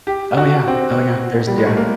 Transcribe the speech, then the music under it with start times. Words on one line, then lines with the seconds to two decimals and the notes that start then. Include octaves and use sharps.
Oh, yeah. Oh, yeah. There's Yeah.
0.07 G4
0.37 F#4
0.68 C4
1.47 G3
1.58 G#3
1.67 A3
1.77 A#3